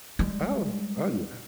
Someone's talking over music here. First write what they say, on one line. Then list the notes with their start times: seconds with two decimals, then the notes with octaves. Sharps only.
Oh, oh, yeah.
0.19 G3 G#3